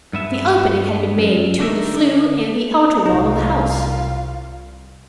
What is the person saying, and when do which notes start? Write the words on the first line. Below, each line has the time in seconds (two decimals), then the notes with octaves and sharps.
The opening had been made between the flue and the outer wall of the house.
0.13 G2 B3 E5
1.18 F#2
1.58 D2 A3 D4 D#4 A#4 E5
3.06 C2 D#4 F4 F5